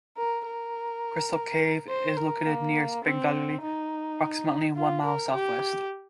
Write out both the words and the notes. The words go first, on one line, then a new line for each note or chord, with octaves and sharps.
Crystal Cave is located near Spring Valley approximately one mile southwest.
A#4
A#4
C5
A#4
A#3
C4
D#4
F4
A#4
G4